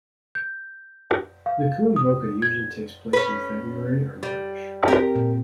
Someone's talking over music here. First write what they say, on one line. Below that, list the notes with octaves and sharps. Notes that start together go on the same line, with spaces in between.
The Kuomboka usually takes place in February or March.
G6
F5
D#6
G#6
C#4 B4
G3
C4 G4 A#4
A#2